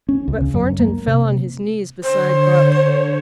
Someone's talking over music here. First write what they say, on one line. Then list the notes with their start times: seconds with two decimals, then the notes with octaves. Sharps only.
But Thornton fell on his knees beside Buck.
0.09 C#4
0.28 C#2
0.42 C#3
0.54 F#2
0.79 A#3
1.07 C3
2.03 D3 C5 C#5